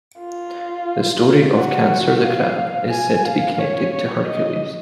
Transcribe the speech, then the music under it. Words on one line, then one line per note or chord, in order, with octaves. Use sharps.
The story of Cancer the Crab is said to be connected to Hercules.
F4
F#4
F5
G#5
F5
C#5
C#5
D#5